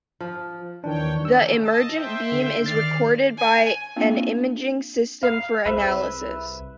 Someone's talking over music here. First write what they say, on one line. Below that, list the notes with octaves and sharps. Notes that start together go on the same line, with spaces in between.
The emergent beam is recorded by an imaging system for analysis.
F3
D#2 D#3 E3 D4 C#5 G5
D3 A#3 C#4 E6
D#5 A5
C5 E5 G5
D3
D#3 D5 F6 A6 C7
G#5
A#3 C4 D4 F4
F5
C2 C4 G#4 B4 C5 E5